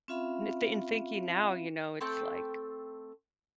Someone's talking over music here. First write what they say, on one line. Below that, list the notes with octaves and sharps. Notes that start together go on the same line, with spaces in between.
N th in thinking now, you know, it's, like
C4 C#4 F4 E5 F5 B5
A3 C4 G5 A5